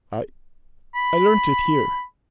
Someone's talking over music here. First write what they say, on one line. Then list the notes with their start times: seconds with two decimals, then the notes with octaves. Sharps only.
I-I learnt it here.
0.95 B5